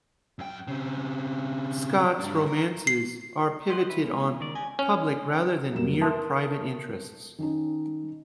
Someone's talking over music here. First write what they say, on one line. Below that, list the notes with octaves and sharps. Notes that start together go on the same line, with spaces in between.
Scott's romances are pivoted on public rather than mere private interests.
F#2 G5
C#3 C4
G2 D4
A#4
C7
G4 D#5 F#5 C6
E3 B4
G#3 B3 C#4
D#3 D5
D4 G4 D#5 G#5
C#4
F2 F#3 G3 A#3 E7
A#4 E5 A5 C6 D#6
D#3 C#4 D#4